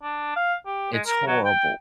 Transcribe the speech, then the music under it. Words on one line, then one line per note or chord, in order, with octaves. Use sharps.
it's horrible.
D4
F5
G4
G#3
A#4
F#3
G5